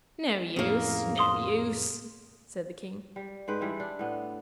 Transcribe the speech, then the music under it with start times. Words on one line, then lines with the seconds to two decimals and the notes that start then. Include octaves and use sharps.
'No use, no use!' said the King.
0.56 F2 A2 C#3 A#3 F6
1.18 C6 D#6 G7
3.16 G3
3.48 G#2 G#3 B4 G5
3.61 E3 G3 D4 E4
3.80 D4
3.99 A2 B3